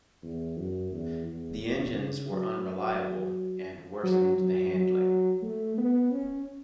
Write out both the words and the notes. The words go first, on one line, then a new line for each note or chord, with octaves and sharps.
The engines were unreliable and worsened the handling.
E2
F#2
E2
E2
E2
C#3
F#3
F#3
F#3
F#3
A3
B3
C#4